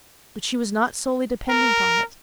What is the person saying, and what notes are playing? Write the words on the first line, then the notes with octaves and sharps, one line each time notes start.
But she was not solely dependent on it.
A#4